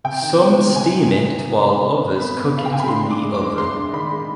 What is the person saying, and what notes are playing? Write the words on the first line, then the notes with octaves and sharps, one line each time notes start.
Some steam it while others cook it in the oven.
C3 G5
D#3
B3
D#3
C3 G#5
D#3
C3
C3
C3
C3
C3
C3
B3 B5
B3
C3
F5
G5
C3 G#5
B5
D4 C6
D4
D6
G#3
D6
G#3
G#3 C6
D4
D#3 B5
G#3